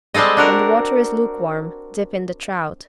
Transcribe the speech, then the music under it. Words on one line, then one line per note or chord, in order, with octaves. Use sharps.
When the water is lukewarm, dip in the trout.
G3 G#3 C4 A4 D#5
D4 F#4 A#4